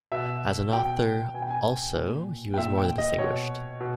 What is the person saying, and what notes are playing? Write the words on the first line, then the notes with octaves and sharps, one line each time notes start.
As an author also he was more than distinguished.
B2 E5
B2 G5
B2 G#5
G5
G#5
A#2
G5
A#2 E5
G5
D#5
B2 C#5
B2